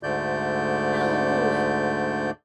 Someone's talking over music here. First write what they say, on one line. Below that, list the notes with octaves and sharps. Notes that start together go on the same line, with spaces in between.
"I'll rule it!"
D2 G#2 D3 A3 D5 G6